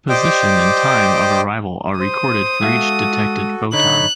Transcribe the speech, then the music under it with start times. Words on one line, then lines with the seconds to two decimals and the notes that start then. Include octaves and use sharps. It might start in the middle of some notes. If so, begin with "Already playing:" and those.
Position and time of arrival are recorded for each detected photon.
0.09 G4 C5 D5 D#5 G5 D6
2.00 C5 D#6
2.62 G#3 F#4 A4 E5 F5
3.73 D3 D#4 C#5 B5 F#6